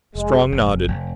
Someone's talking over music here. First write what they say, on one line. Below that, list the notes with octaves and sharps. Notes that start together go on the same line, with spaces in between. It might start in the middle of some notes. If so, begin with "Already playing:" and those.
Strong nodded.
F1 G#3
F1
F1